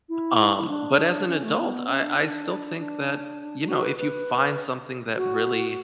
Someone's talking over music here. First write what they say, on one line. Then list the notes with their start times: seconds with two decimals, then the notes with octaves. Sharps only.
Um, but as an adult I I still think that, you know, if you find something that really
0.09 E4
0.57 E4
0.68 D4
1.28 C#4
1.43 A3
1.59 B3
1.87 C#4
2.03 D4
2.77 D4
3.68 F#4
3.83 B4
3.98 B4
5.17 F#4